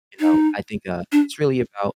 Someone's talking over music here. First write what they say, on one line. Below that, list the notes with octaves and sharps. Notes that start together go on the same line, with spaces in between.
uh, you know, I think, uh, it's really about,
D#4
D4